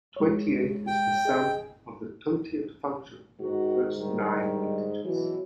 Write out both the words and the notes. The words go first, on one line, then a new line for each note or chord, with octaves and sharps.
Twenty-eight is the sum of the totient function for the first nine integers.
G#3 C#5
G5
G#4 D#5 G#5
G#2 D#3 F#4
D3 D#3 G3
G#2 B2 E3 F#3